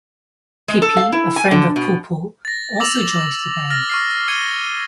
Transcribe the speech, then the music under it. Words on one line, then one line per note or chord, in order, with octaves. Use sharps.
Pipi, a friend of Pulpul, also joined the band.
G#3
A4
F5
E4
G#5
D3
B2
A6 A#6
D6 E6 A6 A#6 F7 F#7
F6 A6 A#6
C#6 F6 C7
F6 G#6 C#7 D#7 G7